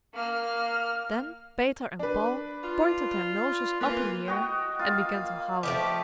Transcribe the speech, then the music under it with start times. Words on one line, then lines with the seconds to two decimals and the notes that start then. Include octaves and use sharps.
Then Peter and Paul pointed their noses up in the air and began to howl.
0.14 A#3 F6
1.99 D4 B4
2.63 F4
3.81 E3 A#3 F4 B4
4.28 F#4 D#5 G5
4.79 A#3 F4 F5
5.63 F3 A3 G4 D#5 G5 D6